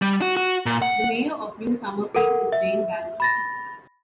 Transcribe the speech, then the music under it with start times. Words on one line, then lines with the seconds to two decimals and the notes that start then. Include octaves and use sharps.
The mayor of New Summerfield is Jane Barrow.
0.02 G3
0.22 F#4
0.37 F#4
0.66 A#2
0.82 F#5
2.15 A4 A#4 F#5
2.52 E5
3.20 B5 A6 A#6